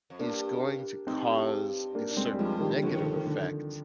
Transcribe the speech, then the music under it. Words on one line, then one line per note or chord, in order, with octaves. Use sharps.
is going to cause a certain negative effect
F2
G2 A#3 D4
G2 C4 D#4
A#3 D4
D4
G#3 C4
G3
G2 F3 G#3
D#3 G3
G#2 D3 F3
D#3
D3
D#3
D3